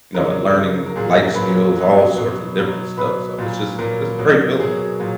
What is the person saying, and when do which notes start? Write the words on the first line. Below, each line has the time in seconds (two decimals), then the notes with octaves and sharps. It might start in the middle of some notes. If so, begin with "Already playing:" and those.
you know, and learning life skills, all sorts of different stuff, so it's just it's a great feeling.
0.15 C#3 F#3 A#4
0.55 C#3 F#3
0.86 A#4
0.95 A#2 F#3 G#4
1.08 G#4
1.22 A#4
1.35 A#2 F#3 B4
1.76 F#3
1.81 B2
2.17 B2 F#3
2.57 B2 F#3
2.97 B2 F#3 B4
3.38 A#2 F#3
3.78 A#2 F#3 A#4
4.18 B2 F#3
4.59 B2 F#3 G#4
5.00 A#2 F#3